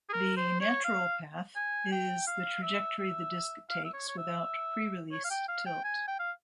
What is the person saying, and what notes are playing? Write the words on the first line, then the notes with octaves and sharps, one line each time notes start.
The "natural path" is the trajectory the disc takes without pre-release tilt.
G#4
A#4
C5
C#5
F5
G#5
G5
F5
E5
E5
F5
E5
C#5
C#5
E5
C#5
F5
G5
F5
G5
G#5
G5
F5